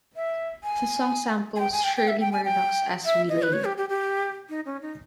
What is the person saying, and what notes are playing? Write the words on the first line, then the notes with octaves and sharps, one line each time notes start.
The song samples Shirley Murdock's "As We Lay".
E5
G#5
G#5
G5
G#5
G5
G5
E5
G5
G#5
G5
E5
D#5
B4
C#5
G4
G4
G4
D#4
C#4
D#4